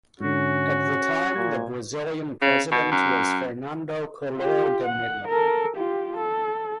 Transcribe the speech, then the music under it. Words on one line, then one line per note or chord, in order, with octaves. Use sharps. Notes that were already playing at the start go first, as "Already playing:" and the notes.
At the time the Brazilian president was Fernando Collor de Mello.
G#2 D3 C#4 F#4
A#2 G#6
C#3
B2
F#2
F4 G4
F#5
A4 A#4
F4 G4
A4